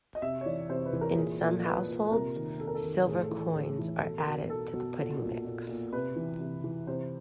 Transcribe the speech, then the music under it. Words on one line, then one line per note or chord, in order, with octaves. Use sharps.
In some households, silver coins are added to the pudding mix.
D#5
C3 E5
C#5
E3 D5
C3 C5
B4
E3
A#4
A#2 G#4
A#2 A4
A#2 B4
A#2
C3 A#4
D#3
C3 A4
A#4
A4
D#3
A2 G#4
A4
E3
A4
A2 G#4
E3
B2 A4
A#4
B2
B2 A4
B2
A#2 A4
A#2
A#2
A#2
C3 B4
E3
C3
E3
C3 C5